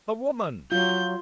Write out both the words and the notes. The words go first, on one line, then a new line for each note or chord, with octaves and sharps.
The woman!
F#3 F4 G6